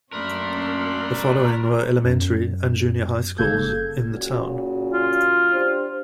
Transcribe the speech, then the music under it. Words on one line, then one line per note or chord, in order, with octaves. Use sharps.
The following were elementary and junior high schools in the town.
F#2 A3 A#3 C#4 D4 A#4 B5 C6
F#2
G1 C#3 A#3 A4 G6 G#6
A#2 C#3 F#4
F4
D4 G4 C5